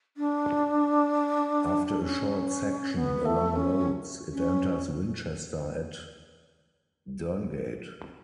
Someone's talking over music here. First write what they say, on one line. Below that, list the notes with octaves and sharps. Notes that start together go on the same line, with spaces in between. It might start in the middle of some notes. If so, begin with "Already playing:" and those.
After a short section along roads it enters Winchester at Durngate.
D4
C#4
B3
A3
C#4
C#4